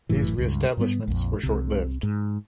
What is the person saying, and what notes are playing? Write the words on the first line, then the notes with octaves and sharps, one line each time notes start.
These re-establishments were short lived.
G1 F#2 A2 E3
C#2 G2
G#2 G3 B3
A#1 F2
C2 C3
G#2